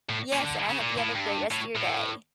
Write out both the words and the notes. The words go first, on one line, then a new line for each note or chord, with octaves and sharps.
yes, and I hope you have a great rest of your day.
A2
A#2
D3
C#3
A#2
A2
G2
A2
A2